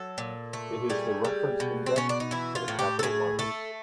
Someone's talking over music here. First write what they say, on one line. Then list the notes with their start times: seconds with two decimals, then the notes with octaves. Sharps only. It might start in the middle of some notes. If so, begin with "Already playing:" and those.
It is the reference index for the capital markets.
Already playing: F#3 A4
0.18 A#2
0.53 A3
0.90 G3 G#4
1.25 G3
1.60 B2
1.86 C4
1.96 B2 C#4
2.09 D4
2.20 D#4
2.31 E3 E4
2.55 F4
2.68 A2
2.79 G4
2.99 A4
3.03 A2 G#4
3.39 A3 A4